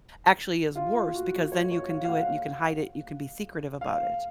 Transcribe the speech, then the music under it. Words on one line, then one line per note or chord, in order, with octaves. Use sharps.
actually is worse because then you can do it and you can hide it, you can be secretive about it.
F4
F#4
C#5
C#5
F5
F5
F#5
F5